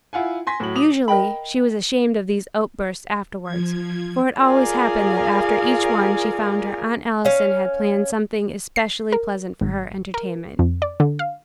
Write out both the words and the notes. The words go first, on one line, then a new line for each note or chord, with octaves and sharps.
Usually she was ashamed of these outbursts afterwards, for it always happened that after each one she found her Aunt Allison had planned something especially pleasant for her entertainment.
E4 F4 F#5 G#5
G#5 C6 A#6 B6
A2 F#3 F#7
D6 D#6 F7 F#7
A#4 D#5 G5 B5
F3 G#6
F4 G#4 A#4 D5 F5 G#5
C#4 F5
C7
A#4
G#1
A#4
F2
D5
D3
F5